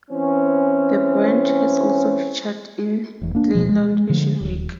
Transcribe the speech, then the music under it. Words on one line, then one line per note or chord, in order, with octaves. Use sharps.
The brand has also featured in Ceylon Fashion Week.
E3 C4 C#4
E1 E2
A#3 D4
D1 B2 F3
G#3
D3 F3 A3
D#1